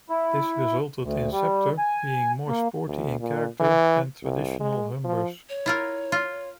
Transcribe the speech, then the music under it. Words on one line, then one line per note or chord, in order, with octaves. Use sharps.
This resulted in the Sceptre being more sporty in character than traditional Humbers.
E4
D2
G3
G#5
A#3
D2
A#2
E3
C2
G#3
F3
C#5
E4 F4 A#4
F4